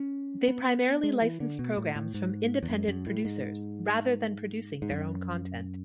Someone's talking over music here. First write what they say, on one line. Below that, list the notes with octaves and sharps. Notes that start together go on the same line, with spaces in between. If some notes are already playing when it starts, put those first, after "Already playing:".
They primarily licensed programs from independent producers, rather than producing their own content.
Already playing: C#4
B3
G#3
E3
D3
B2
A2
A2
G#2
E2
F#2
F#2
A2
G#2
G#2
F#2